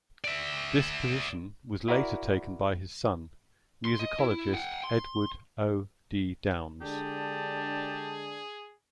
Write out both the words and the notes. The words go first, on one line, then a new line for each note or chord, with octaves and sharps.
This position was later taken by his son, musicologist Edward O. D. Downes.
D5 E5
E4 F#4 A#4 D5
C6
D#5
E4
F#5 G5
C6
D3 G#3 D4 G4 G#4 A5